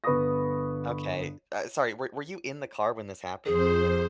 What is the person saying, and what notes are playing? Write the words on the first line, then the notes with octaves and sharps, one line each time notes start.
Okay, uh, sorry, were were you in the car when this happened?
G1 B3 B5 C#6 D#6 A#6
F2 G#4 C5